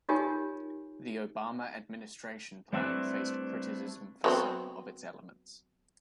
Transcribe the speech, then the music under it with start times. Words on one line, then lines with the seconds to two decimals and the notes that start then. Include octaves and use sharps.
The Obama administration plan faced criticism for some of its elements.
0.09 D#4 F4 G4 A#4 C#5 G#5
2.73 G3 A3 C4 D4 E4 B4
4.24 F#3 B3 C4